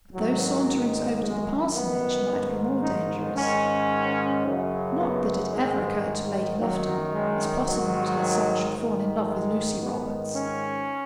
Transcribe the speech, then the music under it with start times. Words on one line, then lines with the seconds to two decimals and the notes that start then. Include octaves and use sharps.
But those saunterings over to the parsonage might be more dangerous. Not that it ever occurred to Lady Lufton as possible that her son should fall in love with Lucy Robarts.
0.14 G#2 D#3 F#3
1.22 F#2 D#3 G#3
1.76 B3
2.29 G#2 D#3
2.83 D#4
3.37 G#2 D#3 C#4
4.45 F#2 C#3
4.98 B3
5.51 G#2 D#3 G#3
6.59 F#2 D#3 F#3
7.13 G#3
7.67 G#2 D#3 F#3
8.75 G#2 D#3
9.29 G#3
9.82 G#2 D#3 B3
10.36 C#4